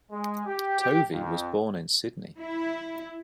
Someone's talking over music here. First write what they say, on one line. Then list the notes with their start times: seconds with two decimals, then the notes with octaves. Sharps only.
Tovey was born in Sydney.
0.11 G#3
0.46 G4
0.80 G4
1.11 F2
2.39 E4